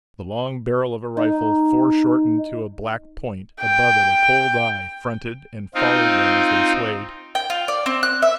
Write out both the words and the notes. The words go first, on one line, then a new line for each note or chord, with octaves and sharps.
The long barrel of a rifle, foreshortened to a black point, above it a cold eye, fronted and followed them as they swayed.
D#4
G5
C4 D#4 F4
G5
F4
D5
C4
F#6
E5